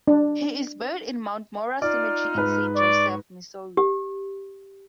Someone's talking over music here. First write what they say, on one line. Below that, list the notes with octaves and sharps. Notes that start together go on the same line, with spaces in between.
He is buried in Mount Mora Cemetery in Saint Joseph, Missouri.
D4
D#4 F4 D5 F6
G#2 B4
D5 C#6
G4